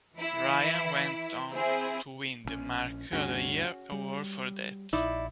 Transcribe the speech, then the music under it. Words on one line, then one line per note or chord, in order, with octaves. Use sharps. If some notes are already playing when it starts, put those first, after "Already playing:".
Ryan went on to win the Mark of the Year award for that.
E3 E4
C4 E4 G#4
A#1 C#3 C#4
D2 G2 C#4 F#4 G#4
G3
A#1 D#4 E4 D5